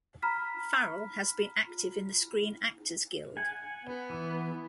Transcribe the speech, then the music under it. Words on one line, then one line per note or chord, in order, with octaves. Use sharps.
Farrell has been active in the Screen Actors Guild.
A#5 B5 F6 B6
F#5 G#5
B3
E3